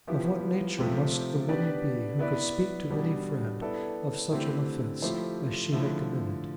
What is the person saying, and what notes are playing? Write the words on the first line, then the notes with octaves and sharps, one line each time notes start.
Of what nature must the woman be who could speak to any friend of such an offence as she had committed?
F3 B3 E4 G4
C3 F3 A3 C4 G4
B3 D4 G4 B4 D5
B3 E4 B4 D5
B2 G3 D4
B3 E4 A4 D5
D3 A3 C4 E4 G4
F3 A3 E4 G4 C5
D3 F3 A3 E4